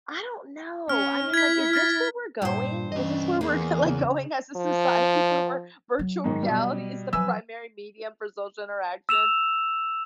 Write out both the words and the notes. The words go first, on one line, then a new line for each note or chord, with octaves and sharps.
I don't know. I mean, like, is this where we're going? Is this where we're g like, going as a society where we're virtual reality is the primary medium for social interaction?
C#4 F6
E4 G#6 B6
F6 A6 B6
G2 A#2 C5
E3 C#4 D#5
E2 A#3 G#4
C#3
F3
F#3
G#2 D#3
B2 G3
F3 F#3 B4 G#5 E6
E6 E7 F7